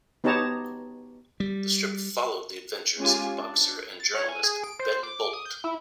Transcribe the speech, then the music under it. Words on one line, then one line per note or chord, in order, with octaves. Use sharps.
The strip followed the adventures of boxer and journalist Ben Bolt.
B3 D#4 G4 C#5 A5 A#5
G3
G#3 C#4 F4 G4 G#5
D4
A6
C#5
G#5
G#4
D7
C5
D6
D#6
G6
E4